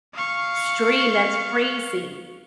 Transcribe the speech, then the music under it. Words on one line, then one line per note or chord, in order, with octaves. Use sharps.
stream, that's crazy.
F5 C#6